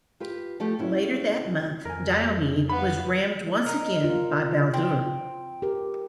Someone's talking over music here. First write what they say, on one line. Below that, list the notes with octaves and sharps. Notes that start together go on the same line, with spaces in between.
Later that month, "Diomede" was rammed once again by "Baldur".
F4 G4 B4
F3 A3 G4
B3 C#4 E4
F2 A#4 G#5
B3 F5 B5
D#4 A#4
F4
C4
G4 A#4